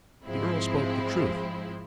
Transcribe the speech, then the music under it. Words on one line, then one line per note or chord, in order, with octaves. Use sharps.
The earl spoke the truth.
G#2 F3 G#3 C4 E4